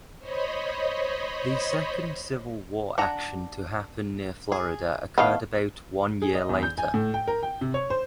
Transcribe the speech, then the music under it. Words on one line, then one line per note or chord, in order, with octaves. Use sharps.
The second Civil War action to happen near Florida occurred about one year later.
C5 C#5 D#5 B5
D4 F#5 A#5
G#4
D#3 A3 B3 F5
G#4
D#5
E2
G6
G#5
A2
G5
A#4
G5
C3
C#5
C5